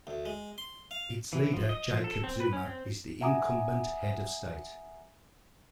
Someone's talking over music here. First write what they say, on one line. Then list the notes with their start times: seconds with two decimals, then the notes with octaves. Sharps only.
Its leader Jacob Zuma is the incumbent head of state.
0.07 D2
0.26 G#3
0.58 C6
0.91 F5
1.33 E3
1.54 F3
1.69 D#5
1.92 F3
2.04 A4
2.24 C4
2.40 B4
2.53 C#4
2.65 C4
3.21 E5 F#5 G#5 A#5 D6 D#6